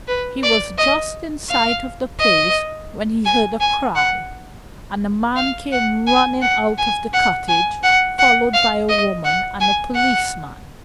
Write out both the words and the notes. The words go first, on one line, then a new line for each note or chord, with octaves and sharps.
He was just in sight of the place when he heard a cry, and a man came running out of the cottage, followed by a woman and a policeman.
B4
D5
D#5
F5
D#5
G#5
G#5
F#5
F5
F#5
G#5
F#5
G#5
F#5
G#5
F#5
F#5
F5
D#5
F#5
G#5
F#5